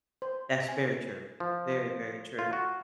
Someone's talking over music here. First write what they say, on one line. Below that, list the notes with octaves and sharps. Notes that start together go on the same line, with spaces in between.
That's very true. Very, very true.
C5
G#5
F3
F4
F#4